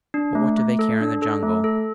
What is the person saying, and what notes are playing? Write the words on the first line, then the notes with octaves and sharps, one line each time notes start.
But what do they care in the Jungle?
D4
A3
A3
A4
D4
A4
A3
A4